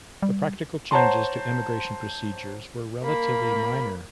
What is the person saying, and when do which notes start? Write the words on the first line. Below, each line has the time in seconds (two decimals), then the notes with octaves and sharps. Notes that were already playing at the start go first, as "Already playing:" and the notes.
The practical changes to immigration procedures were relatively minor.
0.22 G3
0.91 C5 C#5 F#5 A5 A#5 C6
3.02 A#3 B5